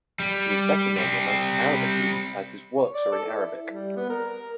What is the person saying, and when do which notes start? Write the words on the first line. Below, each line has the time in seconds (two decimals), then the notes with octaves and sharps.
He is better known amongst Arabic readers as his works are in Arabic.
0.20 G3
0.97 G3 C4
2.77 C#5
2.95 D5
3.12 A4
3.27 E4
3.71 G3
3.96 B3
4.10 A#4